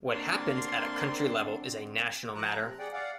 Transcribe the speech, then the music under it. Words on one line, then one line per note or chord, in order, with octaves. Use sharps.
What happens at a country level is a National Matter.
D3 A#3 C4 D4 F#4 C6
F3 A#5 F#6
C3 C4
G#4 D5 F#5 G5
D5 F5 F#5